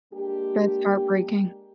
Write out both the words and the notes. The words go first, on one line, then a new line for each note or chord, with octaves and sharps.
That's heartbreaking.
G#3 A#3 D4 G4